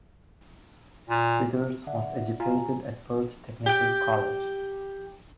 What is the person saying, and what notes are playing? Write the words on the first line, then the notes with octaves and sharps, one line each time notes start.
Withers was educated at Perth Technical College.
A#2
D3 D5 E5 F#5
F4 G#5 A#5
G4 G5